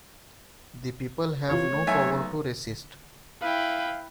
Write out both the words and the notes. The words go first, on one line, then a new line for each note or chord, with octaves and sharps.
The people have no power to resist.
C3 E3 F4 C#5
A3 A#3
B1 E5 G#5
E4 B4 F5 G5